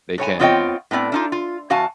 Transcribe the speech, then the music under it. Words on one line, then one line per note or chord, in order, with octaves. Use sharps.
they can
G2 C#5 G#5
B3 C4 F4 C#5 D#5 G5
A2 B3 C4 D5
D4 D#4 F4
F4
E2 F#4 F5 G#5 A5